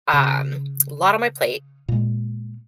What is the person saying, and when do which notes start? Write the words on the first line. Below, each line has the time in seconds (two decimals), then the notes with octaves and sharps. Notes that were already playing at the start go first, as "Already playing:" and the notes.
um, a lot on my plate.
0.13 C#3
1.88 A#2 G#3